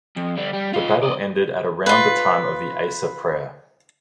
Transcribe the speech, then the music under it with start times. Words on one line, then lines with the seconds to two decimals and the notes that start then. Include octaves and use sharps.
The battle ended at around the time of the Asr prayer.
0.16 F2
0.37 D3 G3
0.53 G3
0.74 F4 D#5
1.03 D5 D#5
1.86 F4 B4